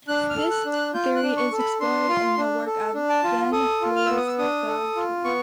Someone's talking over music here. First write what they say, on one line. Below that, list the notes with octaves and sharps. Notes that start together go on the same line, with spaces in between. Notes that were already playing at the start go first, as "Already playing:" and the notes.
This theory is explored in the work of Jean-Louis Baudry.
D4 F#6
F6
A4
F#6
D4
F#6
F4 G6
F#6
D4
C#6
A4
B5
D4 C6
F4
D4
A4
D4
A5
F4
A4 D#6
F4
F6
B3 E6
D#6
E6
D4 D#6
A4
F4
B3 C#6